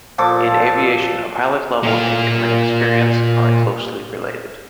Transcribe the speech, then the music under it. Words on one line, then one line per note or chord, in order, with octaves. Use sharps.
In aviation, a pilot's level of income and experience are closely related.
A#2 F3 A4 D6
A#2 F5